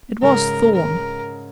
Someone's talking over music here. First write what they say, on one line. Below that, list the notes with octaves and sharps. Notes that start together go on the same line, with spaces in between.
"It was Thorn."
G#2 C#3 A#4
A#4